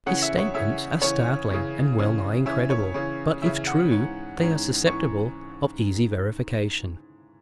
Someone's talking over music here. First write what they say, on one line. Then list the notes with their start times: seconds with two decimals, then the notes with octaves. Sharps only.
His statements are startling and well-nigh incredible, but if true, they are susceptible of easy verification.
0.06 C#3 E3 C#4 F#5
0.22 E5
0.38 C#5
0.54 C#3 E3 C#4 E5
1.02 C#3 E3 C#4 C#5
1.51 C#3 E3 C#4
1.98 C#3 E3 C#4
2.46 C#3 E3 C#4 E5
2.70 C#5
2.94 C#3 E3 C#4
3.42 C#3 E3 C#4 E5
3.67 F#5
3.90 G#2 E3 C#4
4.39 G#2 E3 C#4
4.87 E3 C#4 C#6